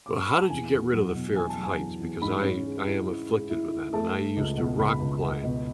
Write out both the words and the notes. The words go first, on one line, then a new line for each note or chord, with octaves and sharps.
Well, how did you get rid of the fear of heights? Because I I am afflicted with that, and I used to rock climb.
D6
C#6
B5
A5
E2 G#5
E2
F#3
B2
E2 G#5
A5
F#3
G#5
E2
E2
G#2 B5
C#4
G#3
E4
E4
G#3
E4
E4
A3 A5
A3
C#2
B2
C#2 B5
C#2
C#2
B2